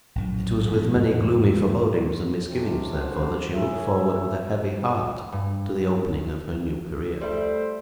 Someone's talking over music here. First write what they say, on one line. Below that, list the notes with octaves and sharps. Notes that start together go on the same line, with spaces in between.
It was with many gloomy forebodings and misgivings, therefore, that she looked forward, with a heavy heart, to the opening of her new career.
A#1 F#2 A2
A#2 F3 G#3 B3
E2 G#2 C#3
F2 G#2 C3 E3 F3 C#4
G3 C#4 D4 F#4 A4 C5
G#4 A#4 C#5 E5
G2
G3 A3 E4 C5 D5